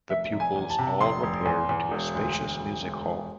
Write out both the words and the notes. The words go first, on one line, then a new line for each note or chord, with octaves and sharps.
The pupils all repaired to a spacious music-hall.
F1 E5
F1
G#5
E2
A5
C3
F1 C6
F1
E2
E2
E1
D2
E1
D2
E1
E1